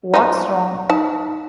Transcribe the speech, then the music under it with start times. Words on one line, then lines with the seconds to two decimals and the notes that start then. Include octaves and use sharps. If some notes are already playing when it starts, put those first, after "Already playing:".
What's wrong?
0.14 F3 D#4
0.89 D#4 A5